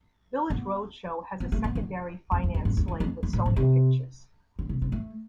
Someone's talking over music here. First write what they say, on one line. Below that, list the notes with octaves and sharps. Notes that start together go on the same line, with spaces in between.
Village Roadshow has a secondary finance slate with Sony Pictures.
B3
B3
A3
B3
D3
F2
F2
F2
G2
E2
E2
F2
F2
A2
A2
C3
D3
C3
C3
A3